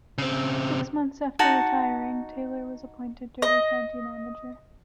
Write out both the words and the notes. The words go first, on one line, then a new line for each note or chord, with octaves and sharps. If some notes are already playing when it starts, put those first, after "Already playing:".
Six months after retiring, Taylor was appointed Derby County manager.
C#3 C4
D#4 F#4 F#5 A5
D#5